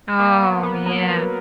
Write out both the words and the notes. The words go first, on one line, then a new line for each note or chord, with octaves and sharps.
Oh, yeah.
A#3
B3
B3
F#3